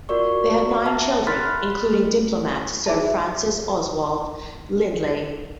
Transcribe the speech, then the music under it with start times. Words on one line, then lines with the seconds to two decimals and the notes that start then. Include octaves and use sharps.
They had nine children, including diplomat Sir Francis Oswald Lindley.
0.09 F4 F#4 A#4 D5 C#6
0.86 E5 F#5 A5 A#5
1.27 B5 C6 F6 F#6 A6 B6
1.93 A3
2.86 D#4 G#4 E5 A5